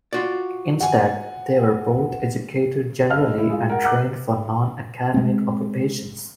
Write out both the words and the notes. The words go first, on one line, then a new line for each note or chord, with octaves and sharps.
Instead, they were both educated generally and trained for non-academic occupations.
F4 F#4 D5
F#5 G#5
B4 D#5 F5 A5 E6 F6
E4
G#3 F4
A#4 F#5
F#5 A#5 D6 F#6
G#3 C4